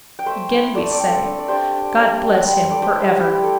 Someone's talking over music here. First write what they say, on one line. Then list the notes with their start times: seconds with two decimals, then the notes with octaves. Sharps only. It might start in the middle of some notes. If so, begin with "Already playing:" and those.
Again we say, God bless him for ever!
0.19 G5
0.26 A3 C5 E5
0.50 E4
0.74 A3 A4 D5
0.91 A4 D5
1.00 C4
1.08 A4
1.24 D4
1.39 D5
1.48 D4 G4 C5
1.72 D4
1.98 G3
2.22 G3
2.46 G3
2.70 G3 A4 D5
2.82 G4 C5
2.95 E4 G4
3.08 G4
3.20 E4 G4
3.43 A3 A4